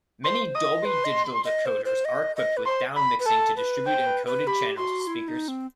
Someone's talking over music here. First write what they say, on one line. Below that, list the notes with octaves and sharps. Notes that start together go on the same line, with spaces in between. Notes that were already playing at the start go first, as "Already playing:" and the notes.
Many Dolby Digital decoders are equipped with downmixing to distribute encoded channels to speakers.
C5 C6
D#5 D#6
B4 C6
D#5
D#5
C5
C5
D#5
D#5
B4
C5 C6
B5
B4
A4 A5
B4
C5 G5
B4
B4
G4 B5
F#4 C6
E4
D#4
C4